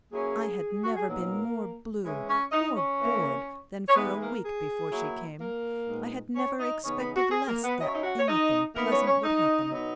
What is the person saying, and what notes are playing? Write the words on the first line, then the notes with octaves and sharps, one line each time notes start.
I had never been more blue, more bored, than for a week before she came; I had never expected less that anything pleasant would happen.
F#3 A#3 C#4 E4 G#4
F#4
G#4
A#2 F#3 A#3 B3 D#4 A#4
E3 G#3 C#4 E4
C#4 C#5
D#4 D#5
C#4 C#5
E3 A#3 E4
C#5
E3 G#3 B3 D#4 B4
A#3 A#4
G#4
F#3 A#3 E4
A#3 A#4
A#2 G#3 B3 D#4
C#4 C#5
D#4 D#5
C#3 E3 B3 C#4 D#4 C#5
B3 B4
F#4
G#4
A#3 A#4
B3 B4
F#3 C#4 E4 D#5
C#5
D#4 D#5
F#4 F#5
C#5
D#4 D#5
E3 A#3 B3 D#4 A#4
C#4 C#5
B4
C#4 C#5
D#4 D#5
B2 F#3 B3 D#4